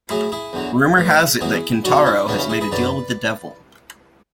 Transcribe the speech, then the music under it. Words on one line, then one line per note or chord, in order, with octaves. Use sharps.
Rumor has it that Kintaro has made a deal with the devil.
A2 F#3 E4 G#4
E4 G#4
E2 D3 F#3
A2 E3
E2 B2 F#3 E4 G#4
E2 D3 F#3 D4 F#4
C#4 E4
E2 C#3 F#3 B3 D4
C#4 E4
E4 G#4
G#4 B4
F#2 D3 F#3 B4 D5